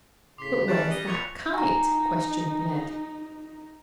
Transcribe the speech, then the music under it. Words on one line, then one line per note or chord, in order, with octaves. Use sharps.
"But where's that kite?" questioned Ned.
A2 C#3 C6 D6 B6
F#2 G3 A5 F#6 G6 A6
D#5
A#2 C#5 C#7 F7
D#4 G#5 A#5